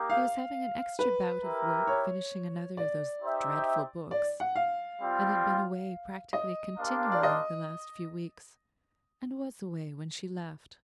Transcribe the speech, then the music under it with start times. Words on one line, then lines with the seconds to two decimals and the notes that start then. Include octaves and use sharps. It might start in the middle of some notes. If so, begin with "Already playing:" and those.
He was having an extra bout of work finishing another of those dreadful books, and had been away practically continually the last few weeks, and was away when she left.
Already playing: A#3 D#4 G4
0.10 F5
0.99 B4
1.43 E4 G4 A#4
1.87 C#5
2.77 D5
3.21 D#4 G4 C5 E5 G5
4.11 D5
4.40 F#5
4.56 F5
5.00 G3 C4 F4
6.33 D#5
6.78 A#3 D4 G4 C5 F5
7.12 D5
7.23 D#5